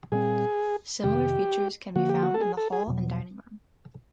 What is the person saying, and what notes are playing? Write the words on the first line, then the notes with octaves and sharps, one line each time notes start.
Similar features can be found in the hall and dining room.
A#2 G3 C4 G#4
F2 C3 D#3 G4
D3 F3 A#3 F#4
G4
F#4
A4
G#4
A4
G#4
E2 B2 F#3